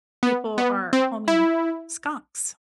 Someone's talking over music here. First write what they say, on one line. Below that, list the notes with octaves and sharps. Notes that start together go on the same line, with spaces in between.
people are homing skunks.
B3
B3
C4
E4